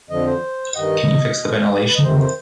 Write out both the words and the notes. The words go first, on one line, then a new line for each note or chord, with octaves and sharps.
Can you fix the ventilation?
F2 D3 F3 D#5
C5
G2 D#3 D#5
B2
G4
B4
D#5
F2 C3 D#3 C5
C5